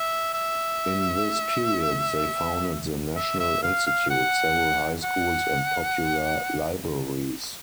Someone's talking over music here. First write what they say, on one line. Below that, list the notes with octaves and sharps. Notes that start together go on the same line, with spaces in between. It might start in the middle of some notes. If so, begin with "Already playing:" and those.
In this period, they founded the National Institute, several high schools and popular libraries.
Already playing: E5
E5
E5
E5
F5
F5
F#5
F#5